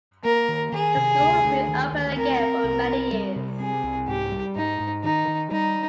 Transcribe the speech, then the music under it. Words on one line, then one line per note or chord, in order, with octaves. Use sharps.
The school has been open again for many years.
A#3 A#4
D#3
D#3 G#4
C3
D2
D2
D#3
D2
C4 A#4
C4
C2
C4
G3
C3
C4 G#4
C2
G#2 G4
G3
G#2 D#4
G#2
D#3 D#4
D#3
G3 D#4